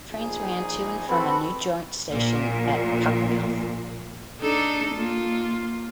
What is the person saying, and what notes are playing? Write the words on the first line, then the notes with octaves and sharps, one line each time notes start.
Trains ran to and from a new joint station at Cockermouth.
A#1 D#4 G#4
C4 F#4 A4 B4 B5
A#1 A#2
D4 D#4 A4
A#3 F4